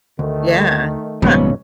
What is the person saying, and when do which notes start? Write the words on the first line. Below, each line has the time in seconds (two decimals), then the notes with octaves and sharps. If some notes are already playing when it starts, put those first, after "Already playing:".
Yeah. Huh.
0.19 D2 D#3 A3
1.22 D#1 G#2 C#3 F3 G3 G#3 B3 C#5